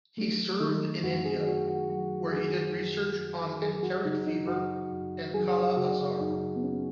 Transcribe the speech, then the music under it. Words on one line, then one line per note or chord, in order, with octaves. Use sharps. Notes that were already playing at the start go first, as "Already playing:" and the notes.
He served in India, where he did research on enteric fever and kala-azar.
F#3 A3
D#3 D#4
F#2 F#4
G#4
F#2 F#4
F#4
F#3 F#4
D#3 G#4
F#2
F#2
F#3 G#4
F#4
C#3 D#4
D#4
F#2 F#4
F#2
F#3 G#4
C#3 F#4
F#2 D#4
B3
F#2 C#4